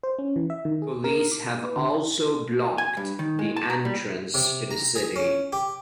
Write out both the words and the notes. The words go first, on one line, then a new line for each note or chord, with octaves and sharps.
Police have also blocked the entrance to the city.
C5
C#4
E3
E5
D#3
G#4
A#4
D6
B4
D3
G#5
G2
D#3
G#3
A5
A#5
G3
C3
A#5
G#4
C#4
G4